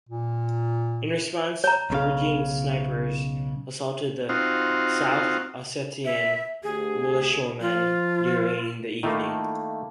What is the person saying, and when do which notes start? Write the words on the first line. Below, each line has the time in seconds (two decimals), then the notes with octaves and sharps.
In response, Georgian snipers assaulted the South Ossetian militiamen during the evening.
0.09 A#2
1.64 C#5 A#5
1.90 B1 C#3 F5
4.29 C4 D#4 F4 F#4
6.05 E5
6.63 D2 G4 G#4
7.61 F3 F4
9.03 D#3 A3 A#3 E4 F4 A4